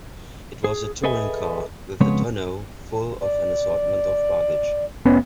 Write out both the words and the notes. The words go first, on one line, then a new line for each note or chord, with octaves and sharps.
It was a touring car, with the tonneau full of an assortment of baggage.
G#4
G#4 A4 B4 D#5 E5 G#5
F2 C#3 G#3 B3 C#5
D5
F1 B3 C#4